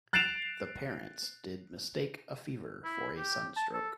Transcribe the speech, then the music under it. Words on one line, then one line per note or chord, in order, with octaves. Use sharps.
The parents did mistake a fever for sunstroke.
F#6 A6 C7 D7 E7 F7
E4
G4
A5
A4